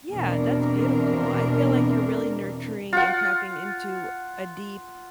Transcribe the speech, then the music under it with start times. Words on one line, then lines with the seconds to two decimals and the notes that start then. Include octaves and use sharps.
Yeah, that's beautiful. I feel like you're really nurturing and tapping into a deep,
0.12 E2 B2 E3 C4 D4 A#4
2.93 F4 F#5